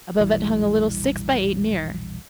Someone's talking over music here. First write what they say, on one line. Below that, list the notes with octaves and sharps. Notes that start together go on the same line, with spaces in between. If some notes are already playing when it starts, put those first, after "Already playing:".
Above it hung a little six-by-eight mirror.
E1 A#1 E3 G3